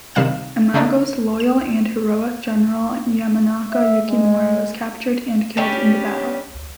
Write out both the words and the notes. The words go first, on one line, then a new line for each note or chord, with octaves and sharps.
Amago's loyal and heroic general Yamanaka Yukimori was captured and killed in the battle.
C3 D#3 G3 F5 F#6 E7
C#3 A3 D4 D#4
E7
E5
G#3
G3 C#4 D4